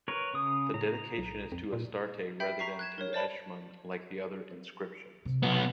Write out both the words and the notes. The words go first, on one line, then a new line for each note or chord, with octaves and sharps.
The dedication is to Astarte rather than to Eshmun like the other inscriptions.
A#4 B4 C#5
C#3 D#6
A2 A#5
B1
F2
A#2
E5 G5 B5 G6 D7
A#5 C#6 B6 C7
F#6 G#6 E7
A#4 C#5
C5 D5 A5 B5
C3
B1 B3